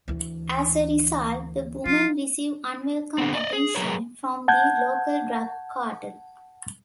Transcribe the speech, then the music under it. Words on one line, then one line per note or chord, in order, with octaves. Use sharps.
As a result, the women receive unwelcome attention from the local drug cartel.
D2 E3
F3 F4
D3 B3 C4
D5 D#5
G#4
F#3 G#4 A#4 B4 C#5
F#5 A5 G6 G#6